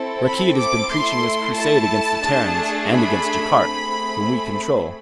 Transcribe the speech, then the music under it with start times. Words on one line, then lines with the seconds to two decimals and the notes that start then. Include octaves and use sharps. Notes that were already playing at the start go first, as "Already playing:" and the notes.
Rakkeed has been preaching this crusade against the Terrans, and against Jaikark, whom we control.
Already playing: C4 E4 A4
0.25 B5
0.58 D6
0.91 A3 E4 A4 C6
1.56 A5
2.22 A3 D4 G#4
2.88 B5
3.54 A3 C4 G#4